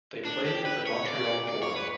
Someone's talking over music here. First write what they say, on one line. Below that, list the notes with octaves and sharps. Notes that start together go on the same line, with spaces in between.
They played at the Montreal Forum.
D4
G4
B4
C#5
D5
D5
C#5
B4